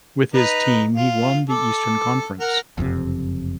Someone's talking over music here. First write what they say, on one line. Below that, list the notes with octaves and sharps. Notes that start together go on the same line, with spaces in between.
With his team, he won the Eastern Conference.
D#4 B4 A#5
F4
A4 D6
A#4 F#5 A#5
F#1 F2 G#2 C3